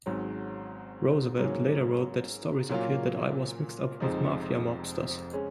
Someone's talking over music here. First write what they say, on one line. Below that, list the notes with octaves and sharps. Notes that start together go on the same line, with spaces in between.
Roosevelt later wrote that Stories appeared that I was mixed up with Mafia mobsters.
G#1 G#2 F#3 C#4
G#2 F#3 A#3 C#4
A#2 F#3 A#3 C#4 F4
F1 F2 F3 G#3 D#4
C#3 G#3 C#4